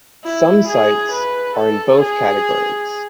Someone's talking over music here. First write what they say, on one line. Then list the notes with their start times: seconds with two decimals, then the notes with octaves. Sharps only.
Some sites are in both categories.
0.24 E4
0.68 G#4
1.12 B4
1.56 A4
2.00 G#4